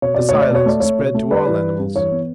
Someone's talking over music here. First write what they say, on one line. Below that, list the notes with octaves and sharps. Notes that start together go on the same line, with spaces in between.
The silence spread to all animals.
B2 C#5
B2 D5
C#5
A3
D5
B2 C#5
A3 D5
A3 C#5
B2
A3
G3 B4 D5
E3
G3
G2
E3 C#5
B3